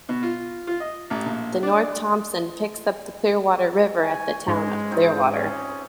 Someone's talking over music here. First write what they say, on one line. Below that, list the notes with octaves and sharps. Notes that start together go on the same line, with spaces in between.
The North Thompson picks up the Clearwater River at the town of Clearwater.
B2
F4
F4
D#5
A1
A#1
D4
G#5 C#6
G#2 G#3 C#4
C4 D#4 F4
C#4 G#4